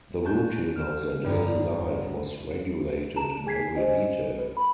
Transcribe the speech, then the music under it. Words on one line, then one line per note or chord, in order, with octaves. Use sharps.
The routine of their daily life was regulated in every detail.
G#5 A5 C6 C#6 F#6 G6
F6 D7 E7
G1 C#2 G2
A5 A#5 E7
G#4 G#5 G#6 B6 C7
G4 C5 D#5 G#5
B4
B5